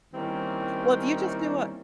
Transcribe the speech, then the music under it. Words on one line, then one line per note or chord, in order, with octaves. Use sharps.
Well, if you just do a
D#3 G3 A#3 C4 C#4 E4